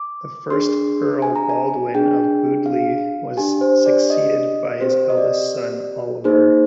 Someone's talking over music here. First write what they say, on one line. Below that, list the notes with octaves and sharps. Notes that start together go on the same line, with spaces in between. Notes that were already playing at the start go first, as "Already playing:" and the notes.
The first Earl Baldwin of Bewdley was succeeded by his eldest son, Oliver.
Already playing: D6
D4 G#4 C6
G#5
A#5
G#5
D4 G#4 G5
F5
D4 G4 G#5
C5
D5
D#5
C4 G4 C5
D#5
D5
A#3 D#4 G#4 C5